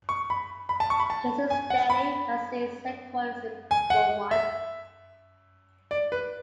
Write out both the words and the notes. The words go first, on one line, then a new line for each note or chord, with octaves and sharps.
Jason's Deli has its headquarters in Beaumont.
C#6
B5
B5
A5
C#6
B5
A5
G#5
F#5
B5
G#5
F#5
E5
D5
B4